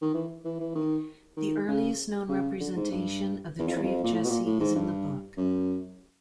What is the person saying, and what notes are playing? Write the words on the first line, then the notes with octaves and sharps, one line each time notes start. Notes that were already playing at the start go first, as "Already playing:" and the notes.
The earliest known representation of the "Tree of Jesse" is in the book.
D#3
E3
E3
E3
D#3
D#3
C#3
C#3
D3
G#2
G2
E2
F2
E2
F2
A#2
A2
B2
A#2
A2
G#2
G2
F#2